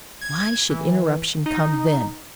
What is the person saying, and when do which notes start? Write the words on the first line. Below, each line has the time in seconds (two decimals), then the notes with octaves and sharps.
Why should interruption come then?
0.21 G#6
0.70 E3
1.46 D#4